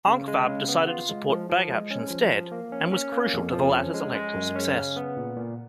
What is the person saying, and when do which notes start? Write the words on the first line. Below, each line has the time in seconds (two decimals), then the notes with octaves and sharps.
Ankvab decided to support Bagapsh instead and was crucial to the latter's electoral success.
0.07 C#3
0.28 G#3
0.48 C#3
0.68 B3
0.89 F4
1.09 G#3
1.29 F3
1.50 F3
1.70 G#3
1.91 C#4
2.10 F3
2.31 F3
2.52 A#3
2.72 C#4
2.92 C#4
3.12 A#3
3.34 F2
3.53 F3
3.74 C#4
3.94 G#3
4.15 G#3
4.35 F#2
4.55 C#4
4.76 C#3
4.96 B3
5.17 A#2
5.37 A#2